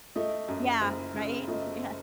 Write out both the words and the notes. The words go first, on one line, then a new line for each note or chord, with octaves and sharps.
Yeah. Right, yeah
A3 D#5
F#2
F#1
C#3
A3 D#5